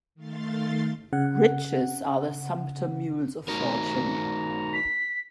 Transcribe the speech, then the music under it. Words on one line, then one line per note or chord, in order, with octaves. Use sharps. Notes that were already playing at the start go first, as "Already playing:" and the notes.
Riches are the sumpter mules of fortune.
D#3 A3 F5 C6 A6
C#3 F#5
D#4 F#4 A#4 A#5
B6